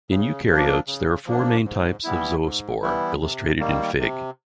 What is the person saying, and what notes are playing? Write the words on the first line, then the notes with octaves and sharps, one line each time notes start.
In eukaryotes there are four main types of zoospore, illustrated in Fig.
C#3
F3 A#3 D4
C#3
F3 A#3 D4
G#2
E3 G3 B3 E4
G#2
E3 G3 B3 E4
C3
D#3 G3 A#3
C3